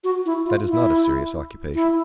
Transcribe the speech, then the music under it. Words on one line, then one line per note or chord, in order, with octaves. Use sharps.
That is not a serious occupation.
F#4
E4
F4
E4
E4